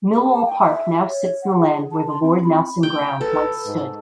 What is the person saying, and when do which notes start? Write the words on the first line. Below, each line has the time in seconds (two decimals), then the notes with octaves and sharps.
Millwall Park now sits on the land where the Lord Nelson Ground once stood.
0.08 G#4
0.24 A5
0.46 G5
0.60 E5
1.08 C#5
1.43 F#5
1.60 G#4
1.91 A5
2.08 C6
2.23 C4
2.44 B5
2.83 G5
3.21 A4 B4
3.66 G#2